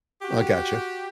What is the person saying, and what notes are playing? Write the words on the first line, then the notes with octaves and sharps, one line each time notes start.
I gotcha.
F#4 G4